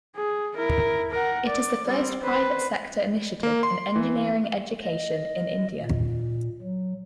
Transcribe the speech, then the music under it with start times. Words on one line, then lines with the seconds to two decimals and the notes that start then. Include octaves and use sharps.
It is the first private sector initiative in engineering education in India.
0.16 G#4
0.56 E4 A#4
1.11 A#4 F#5
1.48 D5
1.88 G3 C4
2.23 B4 C5
3.43 A#3
3.63 C6
3.95 E3
4.83 D#5
5.80 A#2
6.62 F#3